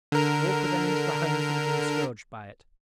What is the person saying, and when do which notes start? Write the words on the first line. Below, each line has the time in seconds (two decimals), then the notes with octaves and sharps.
Walk with them into the homes that have been scourged by it.
0.12 D3 A#4